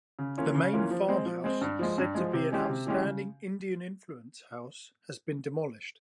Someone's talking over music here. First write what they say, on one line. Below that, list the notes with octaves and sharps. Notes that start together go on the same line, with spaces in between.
The main farmhouse, said to be an "Outstanding Indian-influence house", has been demolished.
C#3
E3 A#3 C#4 F4
C#3
E3 A#3 C#4 F4
F3
G#3 C4
F3
G#3 C4
G2
F3 G#3
G2
F3 G#3
C3
E3 G#3 C#4 G4
C3
E3 G#3 C#4 G4
C#3